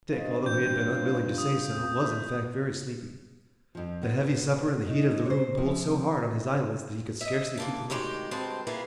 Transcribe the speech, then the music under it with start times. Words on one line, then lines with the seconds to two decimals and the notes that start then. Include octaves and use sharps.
Dick, although he had been unwilling to say so, was in fact very sleepy. The heavy supper and the heat of the room pulled so hard on his eyelids that he could scarcely keep them up.
0.12 G2 C5 D#5 F5 A6
0.46 E3 C4 F4 C5 G6
0.76 F4 B4 C#5 F5
1.38 D#6 G6
1.71 E2 C4 C#4
2.01 G#4 E5
3.75 F2 F3
4.02 A#2 B3
4.86 D#4
5.26 C5 C#5
5.57 C3 F3
7.21 D#5 E5
7.58 G#2 A#3 A5
7.90 D2 D#3 G#3 G4
8.31 D2 G2 G#3 C4 C5 A5
8.67 G3 A#3 B3 E4 F4 G#4